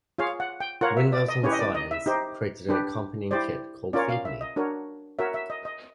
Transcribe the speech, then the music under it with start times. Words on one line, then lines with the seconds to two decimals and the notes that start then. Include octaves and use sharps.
Windows on Science created an accompanying kit called Feed Me!
0.18 F4 G#4 C#5 F5
0.40 F#5
0.60 G5
0.81 F4 A#4 C#5 F#5
0.97 E5
1.13 D5
1.28 D#5
1.43 C#4 E4 G4 B4 C#5
1.52 D#5
1.59 D5
1.75 D#5
1.91 E5
2.06 D#4 G4 C5
2.69 D4 G4 B4
3.31 E4 G4 C5 D5
3.93 C#4 F4 A#4 C#5 D5
4.09 F5
4.25 E5
4.41 D#5
4.56 D4 F#4 A#4 C#5
5.19 F#4 A#4 C#5 E5
5.34 E5
5.50 D#5
5.65 D#5